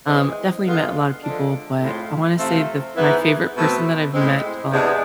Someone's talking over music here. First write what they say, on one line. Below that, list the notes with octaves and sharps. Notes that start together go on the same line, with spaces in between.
um, definitely met a lot of people. But I wanna say the my favorite person that I've met while
E3 G#3 C4
D3 G#3 B3 F4
D3 F3 G#3 D4
A2 G#3 C4 F4
C3 F3 A3 C4 F4
G#2 E3 B3 E4
B2 A3 C4
A2 G#3 C4
E2 C3 G#3 B3 D4